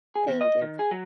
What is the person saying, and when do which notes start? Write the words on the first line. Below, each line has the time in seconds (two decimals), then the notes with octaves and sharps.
Thank you, b
0.16 G#4
0.28 E2
0.41 D#5
0.62 D#3
0.79 G#4
0.91 F#3